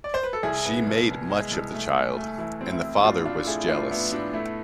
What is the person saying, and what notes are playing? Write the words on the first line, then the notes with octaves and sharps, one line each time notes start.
She made much of the child, and the father was jealous.
D5
C5
B4
A4
C2 E4 G#4
B3
C2
C2
G#3
C2
A3
A3
A3
E3 E4
C4
E4
C4
E4
A2 D4 F4
A2 D4 F4
A4
A2 E4 G#4
A2 D4 F4
B3 E4
A2 D4
A3 E4